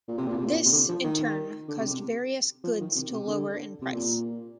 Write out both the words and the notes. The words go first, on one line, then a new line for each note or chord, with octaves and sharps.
This, in turn, caused various goods to lower in price.
A#2
C3
A#2
C3
A#2
C3
D3
F3
D#3
D3
C3
C3
F3
D#3
C3
C3
D3
C3
A#2